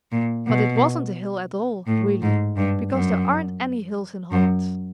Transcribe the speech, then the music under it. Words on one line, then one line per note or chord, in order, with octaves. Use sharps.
But it wasn't a hill at all, really, because there aren't any hills in Holland.
A#2
B2
A2
G#2
G2
F#2
F#2